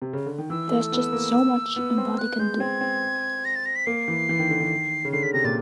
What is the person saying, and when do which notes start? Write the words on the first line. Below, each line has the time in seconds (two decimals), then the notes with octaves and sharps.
There's just so much a body can do.
0.02 C3
0.13 C#3
0.26 D3
0.38 D#3
0.50 E3 E6
0.70 A3
0.92 B3
1.13 A#3
1.76 B3
1.98 C4
2.18 B3 F#6
2.39 G#3 G6
2.60 C4 G#6
2.81 C4
3.45 A#6
3.55 A6
3.66 A#6
3.76 B6
3.86 A#3 C7
4.08 E3
4.29 E3
4.39 D#3
4.49 D3
4.60 D#3
5.05 C#3
5.12 D3 C7
5.23 C#3 B6
5.33 C3 A#6
5.44 A#2 A6